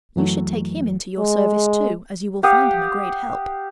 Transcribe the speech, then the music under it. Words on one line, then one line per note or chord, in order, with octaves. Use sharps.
You should take him into your service too, as you will find him a great help.'
F#2 E3 F#3 A3
G#3
G4 F5 F#5 D#6